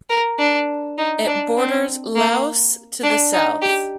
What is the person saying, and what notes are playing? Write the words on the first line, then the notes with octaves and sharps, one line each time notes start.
It borders Laos to the south.
A#4
D4
D#4
D4
C4
A#3
D4
D#4
G4